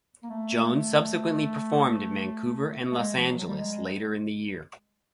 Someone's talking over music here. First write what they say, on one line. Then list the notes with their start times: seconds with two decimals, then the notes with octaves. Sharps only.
Jones subsequently performed in Vancouver and Los Angeles later in the year.
0.23 A#3
0.30 A3
2.91 A3
2.97 G#3
3.15 F3
3.27 F#3
3.38 F#3
3.47 G3
3.57 G#3